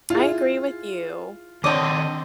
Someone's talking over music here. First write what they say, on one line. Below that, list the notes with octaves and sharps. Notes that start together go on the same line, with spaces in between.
I agree with you,
E4 F4 G#4
D#3 C4 D4 C#5 D#5 A5 D6